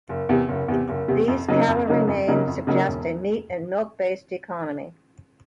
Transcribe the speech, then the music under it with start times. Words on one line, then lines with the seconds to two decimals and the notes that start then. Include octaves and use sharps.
These cattle remains suggest a meat- and milk-based economy.
0.09 F#1
0.29 E2 C3
0.49 F#1
0.68 E2 C3
0.89 F#1
1.08 E2 C3
1.28 F2
1.48 C#3 F#3 A#3 D#4
1.68 F2
1.87 C#3 F#3 A#3 D#4
2.07 F2
2.27 C#3 F#3 A#3 D#4
2.47 F2
2.67 C#3 F#3 A#3 D#4
2.88 E1